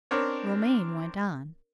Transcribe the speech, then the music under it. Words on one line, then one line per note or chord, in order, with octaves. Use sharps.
Romayne went on.
C4 D4 A#4 C#5